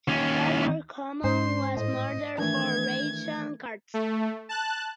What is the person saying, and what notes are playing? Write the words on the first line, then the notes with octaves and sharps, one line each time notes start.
Far more common was murder for ration cards.
D#2 C#4
G#2 C#4 C5 C6
A2 D#5
D#3 E3 A3 D4 G#6
A3
A5 F#6